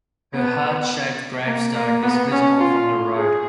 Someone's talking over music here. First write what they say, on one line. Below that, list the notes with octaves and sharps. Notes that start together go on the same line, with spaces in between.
Her heart-shaped gravestone is visible from the road.
B3
A#3
A#3
B3
C#4
F4
G#4